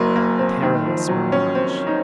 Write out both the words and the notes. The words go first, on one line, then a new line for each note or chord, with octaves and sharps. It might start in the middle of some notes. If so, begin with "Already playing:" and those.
A perilous mirage!
Already playing: F#1 F#3 A#3
A#3
C4
D#3
F3
F#3
C#4
C4
D#4